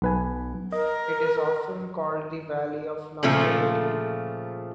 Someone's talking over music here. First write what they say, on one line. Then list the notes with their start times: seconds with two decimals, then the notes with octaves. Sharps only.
It is often called the "Valley of Longevity".
0.02 B1 B4 G#5
0.72 A#4 D#5
3.23 A#2 C#3 F3 A3